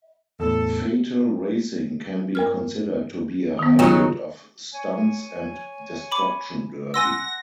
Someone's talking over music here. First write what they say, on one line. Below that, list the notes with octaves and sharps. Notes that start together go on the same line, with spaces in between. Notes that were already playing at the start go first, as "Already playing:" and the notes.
"Fatal Racing" can be considered to be a hybrid of "Stunts" and "Destruction Derby".
E2 A2 A4
G2 A#4 F6
D#3 B3
G2 C#3 F#3 D#4 F4 F#4
C#5 G#5
B5 D6
F#5 G#5 C6 E6 A#6